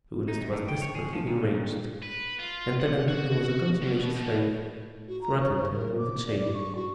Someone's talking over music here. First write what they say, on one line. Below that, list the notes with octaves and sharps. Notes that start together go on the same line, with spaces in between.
Mr. Willis was desperately enraged, and, telling him he was a contumacious slave, threatened him with the chain.
D#4
F#2
A2
G5
C#5
G#4
F3
D#3
C#3
A#2
B4
F4
F#5
F#4
B2
B2
F#4
A#5
C#6
C5
A#4
D6
D5
E4
C#6
F#4